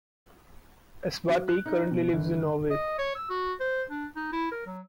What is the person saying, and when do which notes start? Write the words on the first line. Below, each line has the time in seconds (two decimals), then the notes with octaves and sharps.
Esbati currently lives in Norway.
1.29 F#3
1.48 F#6
1.66 D#4
1.91 B2
2.13 G1
2.70 D#5
2.98 C#5
3.15 E6
3.30 F#4
3.60 C5
3.90 D4
4.16 D#4
4.33 E4
4.52 A#4
4.66 F#3